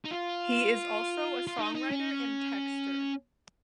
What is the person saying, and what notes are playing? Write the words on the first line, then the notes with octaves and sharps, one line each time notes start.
He is also a songwriter and texter.
D#4
F4
F4
D#4
D#4
C#4